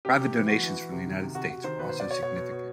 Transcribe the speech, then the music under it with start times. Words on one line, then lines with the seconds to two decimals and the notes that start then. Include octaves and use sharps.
Private donations from the United States were also significant.
0.05 C3 G4
0.20 C3
0.34 E3
0.48 E3 F#4
0.63 E3
0.77 E3
0.92 C3
1.07 D#3
1.21 C3
1.35 C3 F#4
1.49 C3 F#4
1.64 D#3 C5
1.79 B2 B4
1.89 B2 C5
2.00 D5
2.07 B2 C#5
2.21 B2 C#5
2.36 B2
2.51 B2